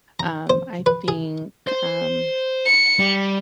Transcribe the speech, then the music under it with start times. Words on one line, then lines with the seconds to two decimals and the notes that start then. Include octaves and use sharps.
Um, I think, um,
0.20 A#5
0.50 C5
0.86 B4
1.08 G#4
1.67 C5
2.66 C#7
2.99 G3